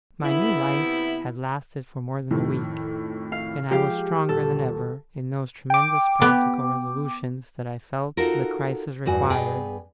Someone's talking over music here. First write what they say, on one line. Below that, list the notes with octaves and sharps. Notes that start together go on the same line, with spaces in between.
My new life had lasted for more than a week, and I was stronger than ever in those tremendous practical resolutions that I felt the crisis required.
C3 B3 E4
F2 A2 D#3
F5
F3 G#3 G4 F5
D#1 A4
G5 D6
B3 G4
D#4 F4 F#4 A4 A#4
E2 G2 F#4 G#5
G2 B3 G#4 B4 G5